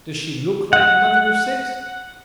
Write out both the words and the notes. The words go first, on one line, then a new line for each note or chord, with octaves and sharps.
'Does SHE look like the mother of six?'
F#5